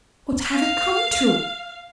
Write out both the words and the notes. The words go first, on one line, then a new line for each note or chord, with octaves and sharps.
"What have it come to?"
F5